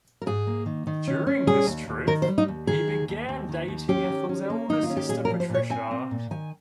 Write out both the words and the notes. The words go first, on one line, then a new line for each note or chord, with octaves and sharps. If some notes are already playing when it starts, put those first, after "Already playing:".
During this trip, he began dating Ethel's elder sister, Patricia.
A#4
G#2 G#4
A#3
D#3
D#3
C#4
C#4
G3 G#4
D#2
D#2
D#3 A#4
C5
G3
D#4
D#2
D#3 G#4
D#2
D#2
D#2
D#3
D#2
C#4 G4
D#3
C#4
A#3
D#3 D#4
F4
C#4
G4
A#2 G#4
A#4
F3
C5
A#2
C#5
C4 G#5
C4
A#2
D#3 G#5